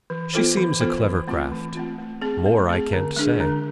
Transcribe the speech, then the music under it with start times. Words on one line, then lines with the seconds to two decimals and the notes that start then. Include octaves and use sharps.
"She seems a clever craft; more I can't say."
0.10 E3
0.33 B3 F4 A4 C5
0.57 E3
0.80 B3 F4 A4 C5
1.04 E3
1.28 A3 C4 F4
1.52 E3
1.75 A3 C4 F4
1.98 A3
2.22 C4 G#4
2.46 A3
2.69 C4 G#4
2.93 D3
3.16 G#3 D4 G#4
3.40 D3